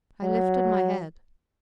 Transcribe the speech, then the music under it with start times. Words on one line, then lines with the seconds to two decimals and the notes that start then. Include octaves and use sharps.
I lifted my head.
0.23 F#3